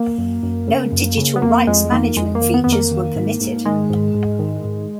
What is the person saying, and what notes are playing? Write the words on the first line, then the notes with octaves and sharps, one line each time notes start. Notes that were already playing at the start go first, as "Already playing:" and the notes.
No digital rights management features were permitted.
Already playing: A#3
F#2
F#2
C#3
F#2
C#3
B3
F2 A#3
F2 G#3
D#3 A#3
F2 G#3
A#3
D#3
B3
F2 B3
A#3
D#3
G#2
G#2
D#3 G#3
G#2
G#2
D#3
G#2